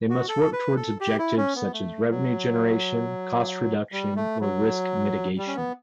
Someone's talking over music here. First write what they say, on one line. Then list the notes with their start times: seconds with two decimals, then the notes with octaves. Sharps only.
They must work towards objectives such as revenue generation, cost reduction, or risk mitigation.
0.09 F#4
0.28 A4
0.53 B4
0.76 A4
1.01 G4
1.19 E4
1.37 C#4
1.56 B3
1.73 A3
2.10 F#3
3.92 G3
4.16 A3
4.41 F#3
5.38 G3
5.47 C#4
5.56 B3